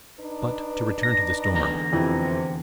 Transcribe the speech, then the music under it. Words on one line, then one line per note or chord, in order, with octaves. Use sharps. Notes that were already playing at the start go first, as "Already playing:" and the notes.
But to return to the storm.
D4 D#4 B4
A#6
E2 D3 A#5
F2 C3 E3